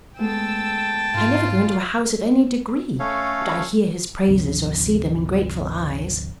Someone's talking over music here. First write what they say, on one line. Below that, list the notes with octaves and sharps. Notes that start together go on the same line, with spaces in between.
I never go into a house of any degree but I hear his praises or see them in grateful eyes.
G#3 A3 B3 G5 A5 E6
G#2 F4
A3 C#4 A4 C#5 F5
G#1 D2 C3 F3